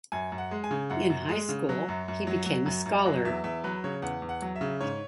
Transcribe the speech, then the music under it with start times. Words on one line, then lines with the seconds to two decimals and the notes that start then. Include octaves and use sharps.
In high school he became a scholar.
0.12 F#2 G#5
0.32 F#2
0.38 F#5
0.51 G#3
0.64 G#5
0.71 C#3
0.90 F#2 F#5
1.10 F#2
1.29 G#3
1.49 C#3
1.69 F#3
1.89 F#2
2.08 F#2
2.27 F#3
2.46 F#3
2.66 F#2
2.86 F#2
3.06 F#3
3.25 E2 E5
3.44 E2 E5
3.64 F#3 B4
3.84 C#3 C#5
4.02 E2 F#5
4.22 E2
4.29 F#5
4.42 F#3
4.56 E5
4.61 C#3
4.80 G#2 C#5